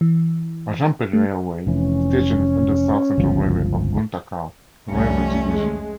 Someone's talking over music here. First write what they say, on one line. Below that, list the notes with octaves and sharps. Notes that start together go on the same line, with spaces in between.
Rajampet railway station is under South Central Railway of Guntakal railway division.
E3
A3
F1 E3 C#4
G1 C#2 F3
C2 F2 G3 A3 C#4
G#3